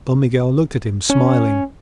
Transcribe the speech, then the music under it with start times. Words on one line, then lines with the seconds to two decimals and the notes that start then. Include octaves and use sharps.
Don Miguel looked at him, smiling.
1.10 C#4